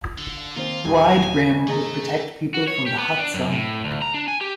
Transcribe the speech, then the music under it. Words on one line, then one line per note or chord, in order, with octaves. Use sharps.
The wide brim would protect people from the hot sun.
D3
D#3 A#3 C4 F4
D#1 G2 G#5 D#7
G#1 G#5
A3 G#4 D#5 A#5
F#4
C#5
G4
B3
D4
F#2
A2
D2
A#5
D4
G#5
G4